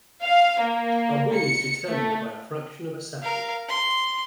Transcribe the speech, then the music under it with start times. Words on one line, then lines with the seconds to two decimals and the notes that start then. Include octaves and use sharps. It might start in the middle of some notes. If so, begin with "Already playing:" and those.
A win is determined by a fraction of a second.
0.23 F5
0.60 A#3
1.33 C#7
1.88 A3
3.21 A#4 F5
3.68 C6